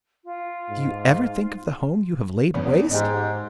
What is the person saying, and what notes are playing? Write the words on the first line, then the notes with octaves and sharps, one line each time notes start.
Do you ever think of the home you have laid waste?'
F4
G#2
E2 B3 C#4
G#2 G4 D#5